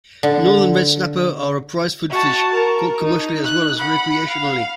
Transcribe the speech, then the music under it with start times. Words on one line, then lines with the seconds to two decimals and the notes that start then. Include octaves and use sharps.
Northern red snapper are a prized food fish, caught commercially, as well as recreationally.
0.23 D3
2.09 F#4 A5
2.54 A#4
3.02 D#4
3.44 F#6
3.78 F#5 B5
4.28 F5